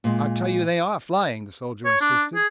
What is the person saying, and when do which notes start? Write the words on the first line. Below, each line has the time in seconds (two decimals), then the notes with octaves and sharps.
"I tell you they ARE flying," the soldier insisted.
0.04 A#2 G#3
1.85 C#5
2.01 D4
2.35 G#4